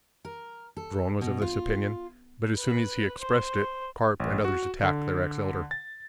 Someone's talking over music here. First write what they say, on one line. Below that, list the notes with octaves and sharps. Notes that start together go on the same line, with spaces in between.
Dron was of this opinion, but as soon as he expressed it Karp and others attacked their ex-Elder.
A#4
A4
B2
F4
B4
C5
A1
F#4
D3
A6